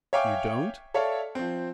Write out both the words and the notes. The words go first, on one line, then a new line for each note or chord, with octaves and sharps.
"You don't?"
C#5 E5 F5 G5 G#5 D6
A4 C#5 D5 E5 F5
F3 C4